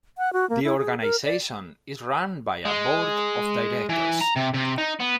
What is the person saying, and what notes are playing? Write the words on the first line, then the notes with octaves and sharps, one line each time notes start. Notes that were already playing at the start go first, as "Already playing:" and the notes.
The organization is run by a Board of Directors.
F#5
F#4
A#3
E4
G#4
A#4
D5
G#3
E3
A#5
C3
C3
D#4
B3